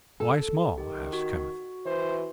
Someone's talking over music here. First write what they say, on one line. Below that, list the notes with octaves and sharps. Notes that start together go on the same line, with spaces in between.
"Why small?" asked Kenneth.
A4
D#3 G4
F#4
E3 C5